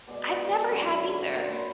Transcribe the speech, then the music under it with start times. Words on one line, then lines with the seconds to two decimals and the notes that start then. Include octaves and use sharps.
I've never have either.
0.07 B2 G#3 D5
0.71 F#2 D3 F#3 C#5
1.33 A#2 F#3 C#5
1.44 C5
1.53 B4